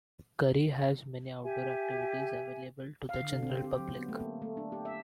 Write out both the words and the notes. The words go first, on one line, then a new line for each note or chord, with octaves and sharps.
Currie has many outdoor activities available to the general public.
G4 E5 G#5
F5
D3
C4
G4
F#3
B3
A3
A#3
A3
D4
G4
E5